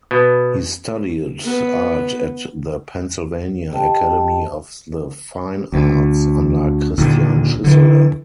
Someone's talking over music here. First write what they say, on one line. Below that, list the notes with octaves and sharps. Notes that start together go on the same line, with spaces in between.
He studied art at the Pennsylvania Academy of the Fine Arts under Christian Schuessele.
B2
B3
G4 A4 D#5 G5 A5
D2
D#2 A#2 D3
D3 E3